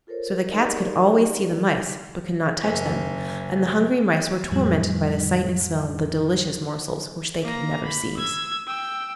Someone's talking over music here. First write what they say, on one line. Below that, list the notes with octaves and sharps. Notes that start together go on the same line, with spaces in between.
So the cats could always see the mice, but could not touch them, and the hungry mice were tormented by the sight and smell of the delicious morsels which they could never seize.
F4 A4 A#4 C5 C#5
D#4 G4 G#4 A#4 D5 D#5
F#1
F2 A2 F3 G3
A#3 A#5
B5
E6 G#6
G5 E6